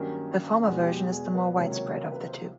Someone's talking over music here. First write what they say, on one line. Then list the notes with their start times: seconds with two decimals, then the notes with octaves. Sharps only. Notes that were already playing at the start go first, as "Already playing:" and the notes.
The former version is the more widespread of the two.
Already playing: G2 D#3 F#3 A#3 C#4 G4
0.65 E2 B2 G#3 B3
0.81 G4
0.95 G4
1.11 G#4
1.34 B4
1.56 C#2 C3 D#3 F#3 A#3 C#5
1.72 C#5
1.86 C#5
1.99 C5
2.12 B4
2.25 C5